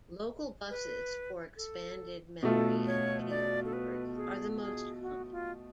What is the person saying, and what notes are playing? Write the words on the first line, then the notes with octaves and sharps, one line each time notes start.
Local buses for expanded memory and video boards are the most common.
B4
A4
B2 A3 F4 A4
C#5
D5
A4
B4
G#4
G#4
F#4
F4